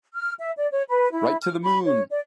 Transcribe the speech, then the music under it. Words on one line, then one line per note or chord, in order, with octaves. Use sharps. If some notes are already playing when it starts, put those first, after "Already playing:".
Right to the moon!
F6
E5
D5
C#5
B4
E4
F6
B5
C#5
D5